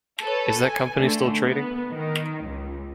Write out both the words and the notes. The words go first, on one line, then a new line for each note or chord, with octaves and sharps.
Is that company still trading?
A4 B4 C#5
G#5
D3 A3
B3
D#3
C#2